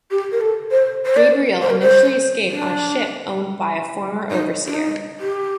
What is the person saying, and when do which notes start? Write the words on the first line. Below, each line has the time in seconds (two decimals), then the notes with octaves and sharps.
Gabriel initially escaped on a ship owned by a former overseer.
0.10 G4
0.31 A#4
0.40 A4
0.70 C5
1.05 C5
1.16 D5
1.61 C5
1.70 A#4
1.80 C5
2.50 D4
4.30 D#4
4.67 D4
4.74 D#4
5.20 G4